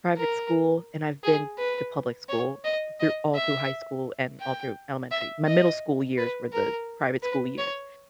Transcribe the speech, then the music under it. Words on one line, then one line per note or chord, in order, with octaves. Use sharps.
private school, and I've been to public school through all through high school and all through elementary. My middle school years were the private school years.
A#4
G#4
B4
C#5
D#5
D#5
E5
G5
E5
D#5
B4
A#4
B4
C#5